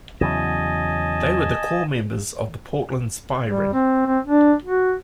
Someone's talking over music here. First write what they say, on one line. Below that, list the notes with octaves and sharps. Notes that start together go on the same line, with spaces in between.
They were the core members of the Portland Spy Ring.
E2 C#3 F#3 D#5 G#5 A5
G3
C4
C4
D4
F#4